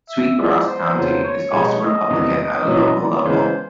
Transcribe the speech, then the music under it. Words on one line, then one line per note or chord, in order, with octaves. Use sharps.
Sweet Grass County is also Republican at a local level.
E5
F3 G#3 B3 E4 D5
C5
F2 C#3 F#3 B3
C#5
B2 G#3 B3 D#4 G4
D#5
E2 C3 E3 G3
D#5
B2 F#3 B3 E4
D5
C#3 E3 G#3 B3 C5